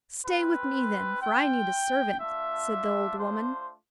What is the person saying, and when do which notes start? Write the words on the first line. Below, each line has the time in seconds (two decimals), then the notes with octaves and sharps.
'Stay with me, then, for I need a servant,' said the old woman.
0.24 C4 F4 B4
1.21 G5
2.19 A3 D4 F4 E5
3.17 C5